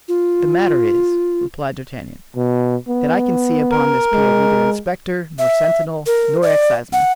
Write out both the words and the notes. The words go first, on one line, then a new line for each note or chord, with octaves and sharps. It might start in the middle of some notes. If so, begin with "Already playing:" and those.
"The matter is," replied D'Artagnan, "that I can see upon this pier neither inspector nor sentinel nor exciseman."
F4
B2
B3
A#4
G#3
E5
A#4
D5
F#5